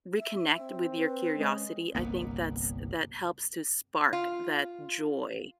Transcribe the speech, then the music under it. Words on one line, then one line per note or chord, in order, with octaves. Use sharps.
reconnect with your curiosity, I think that's that helps to spark that joy
E5
C4
B4
G#3 C#4
G1 C2 A#3 B3
F4